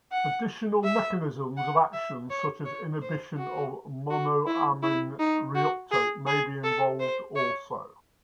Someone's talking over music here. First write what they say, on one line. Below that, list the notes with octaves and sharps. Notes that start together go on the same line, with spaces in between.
Additional mechanisms of action such as inhibition of monoamine reuptake may be involved also.
F#5
E5
F#5
E5
C#5
C#5
C5
F#4
F#4
E4
E4
D#4
F#4
G#4
G#4
A4
C5
C#5